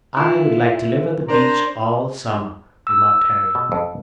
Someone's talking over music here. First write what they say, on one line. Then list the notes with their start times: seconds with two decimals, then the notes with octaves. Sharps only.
"I would like to live at the beach all summer," remarked Harry.
0.17 E4 F4
1.28 D4 A#4 C5 D5 A#5
2.87 E6
3.55 B2
3.72 F2